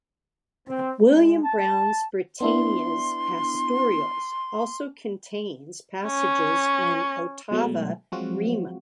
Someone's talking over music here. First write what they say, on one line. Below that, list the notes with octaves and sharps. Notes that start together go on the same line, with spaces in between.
William Browne's "Britannia's Pastorals "also contains passages in ottava rima.
C4
G#3
A5
B3 D4 E4 C6
C#4
B2 F#3 G#3 A3
F3 F#3 G#3 C4 F4 F#4